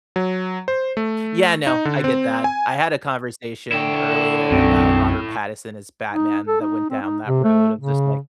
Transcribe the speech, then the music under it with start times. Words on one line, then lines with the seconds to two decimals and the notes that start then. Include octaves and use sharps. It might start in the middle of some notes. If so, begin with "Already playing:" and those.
Yeah, no. I get that. I had a conversation earlier about Robert Pattinson as Batman that went down that road of just, like
0.16 F#3
0.68 C5
0.97 A3
1.67 D#4
1.85 D3
2.04 C4
2.44 G#5
3.72 D3 E4 G5
4.50 B1 F#2 A2 C4
6.13 D#4
6.48 A4
6.61 D#4
6.90 C4
7.02 D#4
7.26 C3
7.44 A3
7.78 C#3